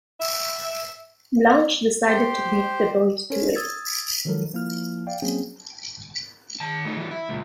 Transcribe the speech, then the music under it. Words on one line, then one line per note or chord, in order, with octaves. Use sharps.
Blanche decided to beat the boys to it.
E5
G4 C5
C#4 A4 A#4 C5 C#5
D#6 E6 G#6 A6
D#3 F3 F#3 G#3 A4 A#4
F3 A#3 E4 F6
D5 F5 G5
F#3 A#3 C4 C#4 G#4
D#3 A5
A3 D#4
E3 G3
E4
C#2 A#2